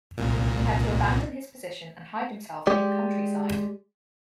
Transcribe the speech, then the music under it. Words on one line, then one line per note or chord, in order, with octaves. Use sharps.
He had to abandon his position and hide himself in countryside.
C2 A#2
G#3 G4 D5